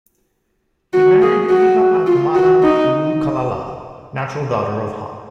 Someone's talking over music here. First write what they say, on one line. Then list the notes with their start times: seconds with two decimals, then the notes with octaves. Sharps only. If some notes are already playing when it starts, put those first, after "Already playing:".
He married Eva-i-pomana Ulukalala, natural daughter of Hon.
0.93 F#4
1.21 G#4
1.49 F#4
2.07 F4
2.35 F#4
2.64 D#4